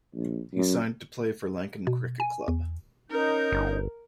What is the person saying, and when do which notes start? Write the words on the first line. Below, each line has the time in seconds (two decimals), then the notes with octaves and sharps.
He signed to play for Lankan Cricket Club.
0.15 A#1
0.54 F#2
1.87 B2
2.20 G#5
2.48 E2
3.10 C#4 D#4 A#4 G6
3.52 G1